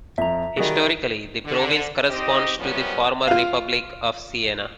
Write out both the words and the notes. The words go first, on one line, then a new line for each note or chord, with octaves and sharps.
Historically, the province corresponds to the former Republic of Siena.
F2 F3 E5 A#5
D#3 G3 F#4 G#4 D#5
D3
C4 D#4 G4 C5 D#5
F#2 C3 F3 G3 B3 C#4
F4 F5